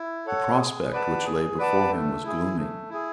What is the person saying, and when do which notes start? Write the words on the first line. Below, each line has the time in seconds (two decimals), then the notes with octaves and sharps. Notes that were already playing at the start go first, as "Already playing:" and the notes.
The prospect which lay before him was gloomy.
Already playing: E4
0.26 A4 C#5 F#5
0.59 G#4
0.92 B4 D5 F#5 A5
1.25 G#4
1.58 B4 D5 F#5 A5
1.91 A3
2.23 E4 G#4
2.57 A3
2.90 E4 G#4